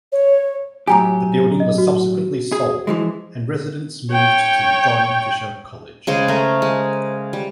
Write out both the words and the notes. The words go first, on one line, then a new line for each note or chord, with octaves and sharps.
The building was subsequently sold, and residents moved to John Fisher College.
C#5
A2 F#3 G4 G#5 A#5
D#5
F#4
G#4
E3 F3 G#3
C#5 G5
C#3 G#3 C5
A3 A#4
G#3
G3